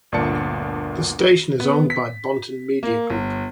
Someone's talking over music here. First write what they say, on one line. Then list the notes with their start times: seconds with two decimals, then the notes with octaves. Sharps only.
The station is owned by Bonten Media Group.
0.12 G1 D2 A#2 D5 A5 C#7
1.60 B3
1.90 B6
2.83 A#3
3.10 G1